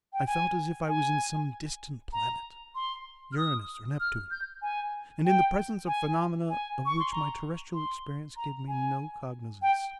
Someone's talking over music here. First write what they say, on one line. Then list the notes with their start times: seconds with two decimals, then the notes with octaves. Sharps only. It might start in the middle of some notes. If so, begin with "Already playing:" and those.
I felt as if I was in some distant planet Uranus or Neptune--and in the presence of phenomena of which my terrestrial experience gave me no cognisance.
0.13 G5
0.27 G#5
0.89 G#5
2.13 A#5
2.75 C6
3.33 F6
3.37 D#6
4.00 F6
4.31 G6
4.62 G#5
5.25 G5
5.87 G#5
6.49 G#5
6.86 C#6
7.00 C6
7.12 A#5
7.74 C6
8.37 A#5
8.68 G#5
9.62 G5